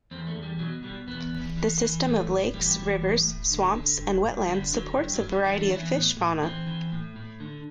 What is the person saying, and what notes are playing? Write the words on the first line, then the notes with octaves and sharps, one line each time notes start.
The system of lakes, rivers, swamps and wetlands supports a variety of fish fauna.
E2 C4
A3
E2
G3
B2 F#3
B2 G3
E2 B3
E2
E3
E3
A2 A3
A2
E3 G3
E3
A2
A2
D3
D3
G2
G2
D3 G3
D3 F#3
G2
F#3
G2
G3
E3 G3
D4
E3 E4
B3
A2
A2
E3 C4
E3
A2
A2
D3